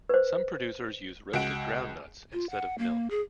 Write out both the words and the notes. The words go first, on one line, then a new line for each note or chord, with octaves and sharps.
Some producers use roasted groundnuts instead of milk.
B4 C5
C#2 F#4 D7
F4
F#5
A#3
G#4